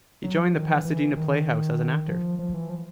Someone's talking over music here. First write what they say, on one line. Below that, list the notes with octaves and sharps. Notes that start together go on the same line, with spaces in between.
He joined the Pasadena Playhouse as an actor.
F#3
F3
D#3
E3
E3
D#3
F3
F3
E3
F3